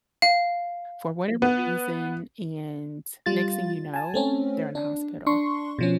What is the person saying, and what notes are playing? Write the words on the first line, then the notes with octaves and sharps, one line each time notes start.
for whatever reason, and next thing you know, they're in the hospital.
F5
B3
G3 F4 A6
G#5 A5
A3 C4 C#4
D4
D4 C6 C#6
B2 F3 C#4